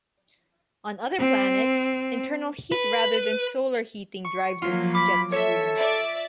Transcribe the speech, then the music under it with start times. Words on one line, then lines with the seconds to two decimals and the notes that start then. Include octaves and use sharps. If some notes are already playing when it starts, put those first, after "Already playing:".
On other planets, internal heat rather than solar heating drives their jet streams.
1.19 C4
2.72 B4
4.25 C#6
4.62 F3 F#3 A#3 F4
4.95 B5 D6
5.32 A4 C#5 E5
5.77 D5 E5